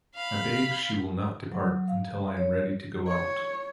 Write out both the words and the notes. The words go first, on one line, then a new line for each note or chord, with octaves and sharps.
I beg she will not depart until I am ready to go out.
F5 B5
F#3
F5
C#5
C#5